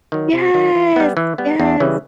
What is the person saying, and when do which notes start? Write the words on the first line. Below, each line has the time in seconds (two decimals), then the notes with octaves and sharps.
Yes. Yes.
0.12 D#3 F#3
0.33 C3
0.54 D#3 F#3
0.75 E3
0.96 G3 B3
1.17 E3
1.38 G3 B3
1.60 E2
1.80 C#3 E3 G3